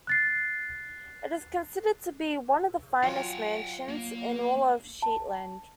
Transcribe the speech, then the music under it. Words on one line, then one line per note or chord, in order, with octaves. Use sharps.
It is considered to be one of the finest mansions in all of Shetland.
F#6 A6 C7
F#3 F4 F#5 G5
A#3
A5